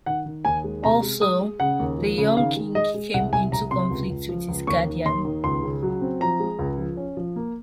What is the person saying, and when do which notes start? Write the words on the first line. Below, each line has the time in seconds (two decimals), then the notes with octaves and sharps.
Also the young king came into conflict with his guardian.
0.06 D#3 F#5
0.26 D#3
0.45 D#2 G#5
0.64 G#3
0.84 C3 A#5
1.03 G#3
1.22 G#3 D#6
1.41 G#3
1.60 C#3 F#5
1.80 D#2
1.98 F3
2.18 C#3
2.37 D#3 F5
2.56 G#3
2.75 G#3 D#5
2.94 G#3
3.14 C2 F#5
3.33 C2 G#5
3.52 C2 A#5
3.71 C3 C6
3.90 C#2
4.10 C#2
4.29 F3
4.48 C#2
4.67 D#2 C#6
4.86 D#3
5.05 D#2 C6
5.25 D#3
5.44 C#2 C6
5.63 C#3
5.83 F#3
6.01 C4
6.20 F3 A#5
6.40 G#3
6.59 C#2
6.78 F3
6.97 C#4
7.17 F3
7.36 A#3